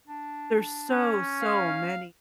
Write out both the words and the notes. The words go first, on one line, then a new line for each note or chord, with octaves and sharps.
There's so, so many
D4
C#4
F5